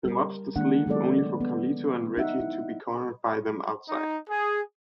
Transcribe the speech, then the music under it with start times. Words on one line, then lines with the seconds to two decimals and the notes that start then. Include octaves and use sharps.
The mobsters leave, only for Carlito and Reggie to be cornered by them outside.
0.05 G3 A#4
0.56 D#3 G#3 A#3 D4 F#5
0.87 F#3 G#3 B3 A4 D5
1.41 B3
2.17 D#4 E5 F#5
2.40 E4
3.89 D#4
4.29 G#4